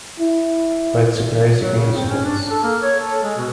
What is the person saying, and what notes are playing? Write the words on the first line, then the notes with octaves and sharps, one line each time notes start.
That's a crazy coincidence!
E4
F#3
C#3
C4
C#4
D4
D4
A4
A#3
C#5
A4
G#3
B2